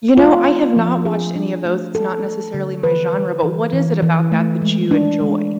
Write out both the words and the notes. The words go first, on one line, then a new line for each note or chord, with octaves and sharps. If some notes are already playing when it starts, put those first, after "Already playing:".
You know, I have not watched any of those. It's not necessarily my genre, but what is it about that that you enjoy?
A3 F4
C4
F3
D4 G#4
D4
A3
A3 A4
A3
D3
E3 B4
E3
E3
E3
E3
A3
G#3
D4
G#3